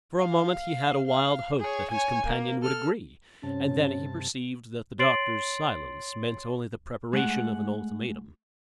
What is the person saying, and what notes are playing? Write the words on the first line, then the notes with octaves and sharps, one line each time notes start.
For a moment he had a wild hope that his companion would agree, and then he perceived that the doctor's silence meant only the preparation of an ultimatum.
F5
F5
G#4 C#5
C#5 G#5
A#3
A4 F6
G2 C3 C#4 A5
C#5 C6 A6 C7 D7 F#7
G#3 A3 F#5